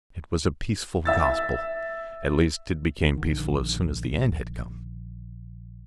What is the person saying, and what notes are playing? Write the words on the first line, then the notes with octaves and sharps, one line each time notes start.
It was a peaceful Gospel; at least, it became peaceful as soon as the end had come.
E5 E6 A6
A#1 D3 D#3